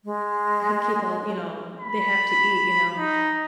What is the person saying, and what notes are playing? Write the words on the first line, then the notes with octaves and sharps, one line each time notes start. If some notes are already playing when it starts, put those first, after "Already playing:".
Uh, keep all you know, they have to eat, you know,
G#3
B5
D#4